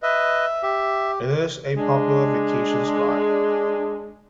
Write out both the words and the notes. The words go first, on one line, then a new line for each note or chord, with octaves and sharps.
It is a popular vacation spot.
B4 D#5 E5
G4 E5
G#3 D4